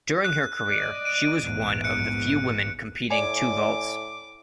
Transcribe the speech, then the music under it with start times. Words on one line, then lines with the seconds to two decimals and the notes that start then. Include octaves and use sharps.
During her career, she was one of the few women competing two vaults.
0.24 F#6
0.68 D5 D#5
1.05 D7 D#7
1.44 A#1 E2 G#2
1.84 F#6 C#7
3.10 A2 D5 G#5 D6